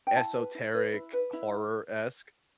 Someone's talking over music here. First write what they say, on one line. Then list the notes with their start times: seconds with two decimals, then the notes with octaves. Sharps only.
esoteric, horror-esque
0.07 G5
0.16 E4 A5
0.35 B4
0.55 E4
0.74 B4
0.93 E4
1.13 B4
1.33 E4